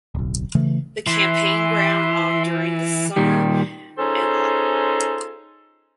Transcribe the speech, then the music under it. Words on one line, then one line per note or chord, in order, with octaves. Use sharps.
The campaign ground on during the summer and autumn.
D1 B1
C#3 E3 A3
E3 E5 C6
A#2 D#3 G3 G4
C#4 D#4 F4 G#4 A4 C5